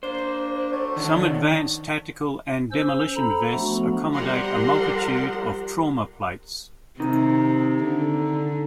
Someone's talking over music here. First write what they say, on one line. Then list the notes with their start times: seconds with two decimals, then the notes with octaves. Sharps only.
Some advanced tactical and demolition vests accommodate a multitude of trauma plates.
0.03 A#3 D4 C5
0.72 A3 F#4 C#5
0.96 D#3 D4
2.72 C#4 C5 E6
3.15 A4 A#5 B5
3.53 F3 A3 B3 D4 F#4
4.13 F3 G3 A#4 F#5 A#5 C6
7.00 C3 D#3
7.83 D3